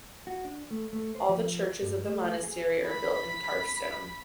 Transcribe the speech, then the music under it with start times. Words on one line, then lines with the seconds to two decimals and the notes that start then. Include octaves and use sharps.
All the churches of the monastery are built in carved stone.
0.27 F#4
0.45 D4
0.71 A3
0.93 A3
1.15 C5
1.29 F3
1.82 G2
2.07 A3
2.43 G#4
2.86 B5 B6